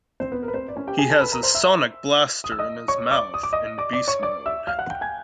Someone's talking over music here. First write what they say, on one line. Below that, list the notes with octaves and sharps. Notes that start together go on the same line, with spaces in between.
He has a sonic blaster in his mouth in beast mode.
C4 C5
B3 B4
A#4
B4
C4 C5
D5
C#4 C#5
G4 G5
G#4 G#5
A4 A5
B4 B5
A#4 A#5
C5 C6
E5 E6
D#6
E6
D#5 D#6
C#5 C#6
D5 D6
D#6
D6
D#5 D#6
D5 D6
D5 D6
C#5 C#6
D5 D6
E5 E6
F5 F6
F#5 F#6
G5 G6
G#5 G#6